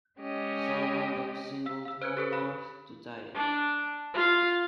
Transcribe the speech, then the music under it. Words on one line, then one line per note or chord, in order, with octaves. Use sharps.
Sal Bando singled home North to tie it.
G#3 C#4 G4 D#5
F5 E6 B6
F5 E6
B4 C5 F6 F#6 G#6
G4 A4 B4 F#6
F5 B5 F#6
D4
F4 F5